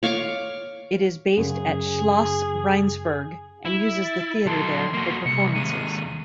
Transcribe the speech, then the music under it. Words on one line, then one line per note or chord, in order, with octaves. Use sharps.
It is based at Schloss Rheinsberg and uses the theatre there for performances.
C#5 F5 C#6 D6
F#2 C#3 G#4
E4
A6
F#3 A4 C6
A#3 F#4
C2 C#7
D#2 G#3 D#7